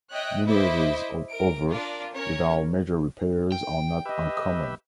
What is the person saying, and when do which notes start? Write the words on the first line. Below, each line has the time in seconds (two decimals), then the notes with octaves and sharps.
Mileages of over without major repairs are not uncommon.
0.11 C#5 D#5 E5 G5 F#6
0.47 E4 C5 D#5 E5 D6
1.28 A#4 D7
1.71 D4 F4 A#4 D5
2.14 C#4 A#4 C#5
3.52 G5
4.05 G4 B4 D#5 E5